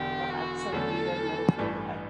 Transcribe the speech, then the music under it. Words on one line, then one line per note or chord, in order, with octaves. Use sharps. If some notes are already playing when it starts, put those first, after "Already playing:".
They find him guilty of treason and sentence him to death.
Already playing: E1 E2 D3 G4
F#4
E2 D3 F#3 A3 C#4 A4
A1 G2 E3 A3 D4